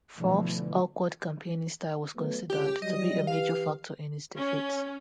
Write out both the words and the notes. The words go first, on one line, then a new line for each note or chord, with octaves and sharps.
Forbes' awkward campaigning style was considered to be a major factor in his defeat.
B2 D3 E3 F3 A3
F#3 A3 B3
C#2 G4
F#3 G3 D#5
E3 G4 B4 F5
C#4